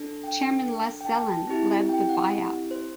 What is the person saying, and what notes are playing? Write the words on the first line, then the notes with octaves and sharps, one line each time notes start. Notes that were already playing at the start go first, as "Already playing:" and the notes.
Chairman Les Zellan led the buy-out.
Already playing: D4 A4
G5
G5
A5
C4 E4 G4
G5
F#5
C5